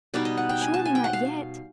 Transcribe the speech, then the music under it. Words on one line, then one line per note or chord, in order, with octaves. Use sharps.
Surely not yet!
B2 G3 B3 D#4 D5
D#5
F#5
G5
G#5
A5
G#5
G5
F#5
F5